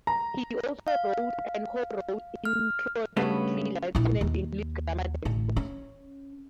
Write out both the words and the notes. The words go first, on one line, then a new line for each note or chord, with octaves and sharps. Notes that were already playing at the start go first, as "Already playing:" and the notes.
He also wrote and co-wrote introductory Latin and English grammar text books.
A#5
F5
F6
G2 C#3 A3 B3 C#4
A#1 E4
D#2
A1 D3
C#4